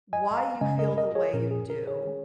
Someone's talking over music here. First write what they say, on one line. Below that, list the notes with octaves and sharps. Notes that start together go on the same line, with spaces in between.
why you feel the way you do,
D#5 G#5
F5 A#5
C#3 G#3 C#4 D#5 G#5
A#4 D#5
A#4 D#5
G#4 C#5
A#2 F3 C#4 A#4
G#4
A#4
G#4 C#5
D#3 C#4